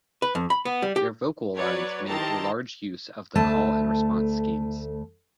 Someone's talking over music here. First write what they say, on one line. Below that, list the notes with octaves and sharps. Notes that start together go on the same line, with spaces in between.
Their vocal lines made a large use of the call and response schemes.
B4
F2
B5
B3
G3
G4
F#3 B4 C#5 D5
D#3 E4 G4 A5 A#5 C6
D2 A3 A5